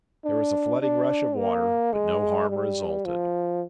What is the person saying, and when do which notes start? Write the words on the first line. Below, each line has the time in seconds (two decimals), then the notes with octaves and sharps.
There was a flooding rush of water, but no harm resulted.
0.25 D4
0.82 D4
1.38 A#3
1.93 G#3
2.49 G3
3.05 F3